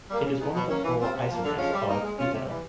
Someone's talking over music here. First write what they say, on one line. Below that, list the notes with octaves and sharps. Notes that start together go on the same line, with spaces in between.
It is one of the four isomers of butanol.
G3 A#3
C#3
E3 G#3 B3 D#4
B2
F#3 A#3 C#4
E3
G3 C4 F4
C3
F3 A#3
D3
F3 G#3 C#4 F4
G3
A#3 D#4
G#3
C#4 F4
C3
E3 G3